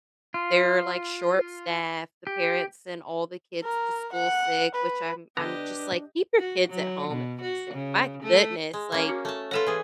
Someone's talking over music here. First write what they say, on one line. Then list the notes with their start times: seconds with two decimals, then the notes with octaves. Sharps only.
they're, like, short-staffed. The parents sent all the kids to school sick, which I'm I'm just, like, "Keep your kids at home if they're sick." My goodness, like
0.34 F4
2.27 G4
3.64 A#4
4.13 F#5
4.75 B4
5.37 D3 B3 D4 G4 B4 D#5 A#5
6.39 F#4
6.69 F#3
7.08 B2
7.41 F#4
7.74 C#3
8.23 A3
8.73 G#3
8.92 A#3 C#4
9.09 F#4
9.25 A3 A5
9.51 F4 A4 B4 C#5 F#5
9.66 E3 G#4